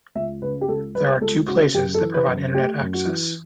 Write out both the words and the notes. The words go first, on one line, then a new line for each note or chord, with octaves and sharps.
There are two places that provide Internet access.
C#2 E5
C#3 B4
G4
C#2 A4
G3 B4
C#2 A4
C#3 F#4
F#2 G4
A4
E3
B4
F#2
A3 G4
F#2
F#4
E3